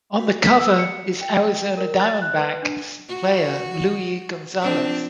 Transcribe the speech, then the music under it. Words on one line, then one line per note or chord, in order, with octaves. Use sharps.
On the cover is Arizona Diamondbacks player Luis Gonzalez.
F#4
B6
E6
C#7
G5
A#4
A6
F#6
B4
D4
F#4
F3 C4 D4